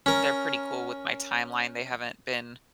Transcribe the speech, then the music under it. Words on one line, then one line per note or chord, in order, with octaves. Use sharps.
they're pretty cool with my timeline, they haven't been
C#4 A#4